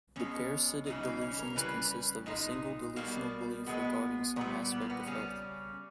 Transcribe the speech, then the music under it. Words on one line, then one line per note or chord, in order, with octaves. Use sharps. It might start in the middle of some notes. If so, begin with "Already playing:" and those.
The parasitic delusions consist of a single delusional belief regarding some aspect of health.
B2 G#3 C#4
C#3 E3 G3 D#4
D#4
C#4
A#4
C#3 E3 G3 B4
A#2 G#3 D#4
B2 G3 A#3
B2 G#3 B3
A#2 G3 B3
B3
A#3
B3
C#3 G3 C#4